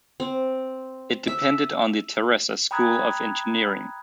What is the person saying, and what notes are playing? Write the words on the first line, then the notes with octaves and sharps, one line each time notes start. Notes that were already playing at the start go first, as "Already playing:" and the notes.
It depended on the Terrassa School of Engineering.
C4
E5
G5 A#5 B5 D#6 F#6 G#6